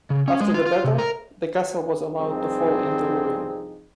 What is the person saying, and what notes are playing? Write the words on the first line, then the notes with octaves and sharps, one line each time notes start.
After the battle, the castle was allowed to fall into ruin.
C#3
C#4
G#3
F4
F4
C3
A#4
C2 G2 F3 C4 D#4 G#4